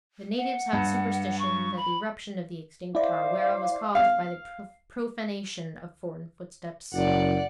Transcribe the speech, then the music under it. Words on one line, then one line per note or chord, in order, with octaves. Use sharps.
The natives have a superstition that the eruption of the extinct Tarawera was caused by the profanation of foreign footsteps.
F#5
G2
C#6
B5
E4 C5 D5 F5 D6
F5
F#1 D5 F#5